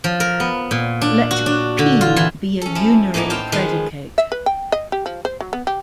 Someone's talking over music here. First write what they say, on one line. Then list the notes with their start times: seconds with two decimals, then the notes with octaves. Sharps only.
Let "p" be a unary predicate.
0.04 F3
0.20 A#4
0.40 B3
0.71 A#2
1.01 D4
1.31 F#4
1.46 D4
1.79 D3
2.01 F4
2.16 E3
2.61 C#4 A4
2.75 F3 E4
3.14 A2 E3 A#3 B3 D#4
3.30 C5 F5 G5 A5
3.52 D#3 F3 G#3 B4 C6
4.18 E5
4.32 B4
4.46 G5
4.72 D#5
4.92 G4
5.06 F3
5.25 C5
5.41 F#3
5.53 B3
5.67 G4